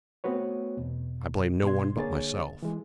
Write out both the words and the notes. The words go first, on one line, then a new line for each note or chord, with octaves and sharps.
I blame no one but myself.
A3 B3 C4 F#4 B4 C#5
E2 B2
B2 D4 C6 G#6
D3 A#3 G#4 C#5 A6
E3 G#3